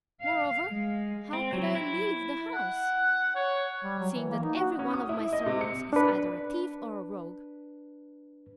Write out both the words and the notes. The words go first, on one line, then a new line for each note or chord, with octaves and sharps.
Moreover, how could I leave the house, seeing that every one of my servants is either a thief or a rogue?
F5
G#3
C4
F#3
E4
F#5
C#5
G3
F#3
E3
A#3
D#4
F#4
C#4
D#6
E4
D#5
C3
C#7
D4 B4